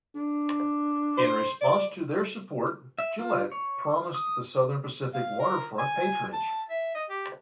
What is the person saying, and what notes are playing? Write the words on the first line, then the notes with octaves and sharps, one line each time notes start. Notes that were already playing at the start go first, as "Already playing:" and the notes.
In response to their support, Gillett promised the Southern Pacific waterfront patrongage.
D4
C5
D5
E5
F4
C#5
D#6
F5
A#4
G#5
A5
E5
D#5
G4